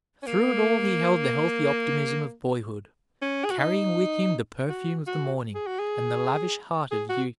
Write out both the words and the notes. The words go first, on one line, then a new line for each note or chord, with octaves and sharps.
Through it all he held the healthy optimism of boyhood, carrying with him the perfume of the morning and the lavish heart of youth.
C#4
A#3
C#4
G#4
F#4
D#4
F#4
F#4
G#4
F#4
G#4
G#4
F#4